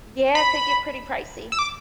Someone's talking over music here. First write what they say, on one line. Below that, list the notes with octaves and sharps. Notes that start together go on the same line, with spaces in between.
Yeah, it could get pretty pricey.
B5
E6
D6